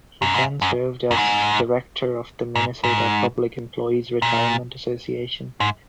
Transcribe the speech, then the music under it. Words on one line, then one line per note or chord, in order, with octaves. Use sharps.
He then served as director of the Minnesota Public Employees Retirement Association.
F#2
G#2
F#2
F#2
G#2
G#2
G#2
A#2
G#2